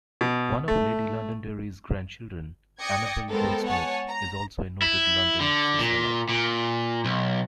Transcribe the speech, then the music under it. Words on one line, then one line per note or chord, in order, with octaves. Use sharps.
One of Lady Londonderry's grandchildren, Annabel Goldsmith, is also a noted London socialite.
B2
A3
D5 G5 D#6 G#6 A#6 C#7
G#3 B3 A4 A#4 C5 G5
C#5 F#5 G#5 A5
A#5
E4
D3
A#2
A#2
B1